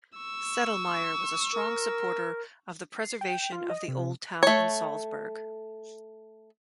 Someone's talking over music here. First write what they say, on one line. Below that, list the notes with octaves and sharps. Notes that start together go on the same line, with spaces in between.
Sedlmayr was a strong supporter of the preservation of the old town in Salzburg.
C#6 E6
A#4
C7
G5
F4
D#5
C3
A3 C#5